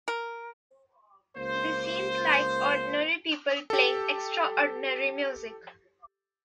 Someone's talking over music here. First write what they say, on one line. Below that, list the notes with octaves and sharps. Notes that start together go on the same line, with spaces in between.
They seemed like ordinary people playing extraordinary music.
A#4
C#2 A#3 C5
G4 A4